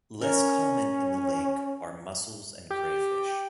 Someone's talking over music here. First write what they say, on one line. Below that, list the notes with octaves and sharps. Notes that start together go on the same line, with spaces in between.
Less common in the lake are mussels and crayfish.
C#4 A#4 C#5
G4